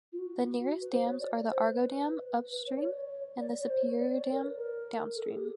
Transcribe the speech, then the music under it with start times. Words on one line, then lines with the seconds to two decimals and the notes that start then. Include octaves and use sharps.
The nearest dams are the Argo Dam upstream and the Superior Dam downstream.
0.12 F4
0.19 F#4
0.81 B4
0.91 C5
1.05 C#5
1.20 D5
1.50 C5
1.65 B4
2.52 B4
2.66 C#5
2.77 D5
2.82 C#5
3.40 D5
3.60 C#5
3.70 C5
3.85 C#5
3.99 D5
4.13 C#5
4.31 A#4
4.43 B4
4.57 A#4
5.16 A4
5.26 G#4
5.35 G4